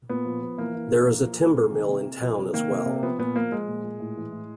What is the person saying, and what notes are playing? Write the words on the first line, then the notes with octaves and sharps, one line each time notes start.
There is a timber mill in town as well.
A#2 B3
F3
F3
E3 A#3
E3
E3
F3
F3
F3
C3
D#3
C3
C3
F3
C3
D#3 A#3
C3
C3
F3 B3
A#2 B3
F3 A#3
F3 G#3
A#2
A#2
A2
E3
A2